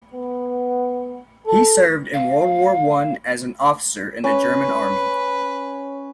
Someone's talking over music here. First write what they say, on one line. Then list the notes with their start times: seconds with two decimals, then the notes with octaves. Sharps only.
He served in World War One as an officer in the German Army.
0.14 B3
1.46 A4
2.13 F5
4.24 C#4 B4 C#5